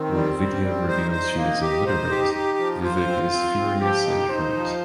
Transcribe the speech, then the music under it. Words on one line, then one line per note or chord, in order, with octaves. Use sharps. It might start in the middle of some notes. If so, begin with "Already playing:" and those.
When Vidya reveals she is illiterate Vivek is furious and hurt.
Already playing: D#3 C4
G3
G3
G3
D#4 C5
C5
A#3
G4
C5
G4
G4
F3
F4 C5
C4
C4
C4
F3 G4
D#4
D#4 C5
F3